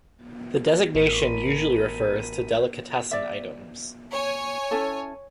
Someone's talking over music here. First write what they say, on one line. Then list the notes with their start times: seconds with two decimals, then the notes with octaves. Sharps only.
The designation usually refers to delicatessen items.
0.95 A1 A#4 B6 D#7
3.11 D5 E5
4.12 C#5 G#5
4.71 C#4 E4 A4